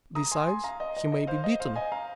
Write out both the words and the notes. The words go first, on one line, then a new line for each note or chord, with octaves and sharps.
Besides, he may be bitten.
A#5 D#6
G#5 C6
G#5 C6
F5 A#5
D#5
D#5
D#5
C5 F5
D#5
C5 F5
D#5 G#5
F5 A#5